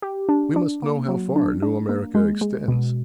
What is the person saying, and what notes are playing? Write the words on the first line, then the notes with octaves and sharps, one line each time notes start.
"We must know how far New America extends."
G4
D4
D4
A#3
F#3
D4
D4
A#3
G#3
G#3
B2